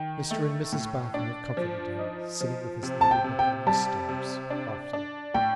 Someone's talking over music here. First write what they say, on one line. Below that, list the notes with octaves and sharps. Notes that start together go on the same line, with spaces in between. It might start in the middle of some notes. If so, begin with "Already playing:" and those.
Mr and Mrs Boffin have comforted him, sitting with his little book on these stairs, often.'
Already playing: D#3 G5
A3
A2
D4
F3
D#4
F3
C3
A5
G5
C3
G5
G3 A5
C3
D4
D4
A2 G5